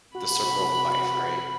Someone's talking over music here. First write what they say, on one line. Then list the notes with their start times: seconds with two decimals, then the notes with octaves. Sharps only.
the circle of life, right?
0.15 C3 F#4 B5